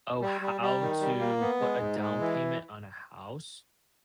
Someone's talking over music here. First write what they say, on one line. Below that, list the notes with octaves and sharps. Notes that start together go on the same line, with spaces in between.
oh, "How to put a down payment on a house?"
G3
G3
G3
D#3
G3
A#3
B3
G#3
G#2
G#3
E3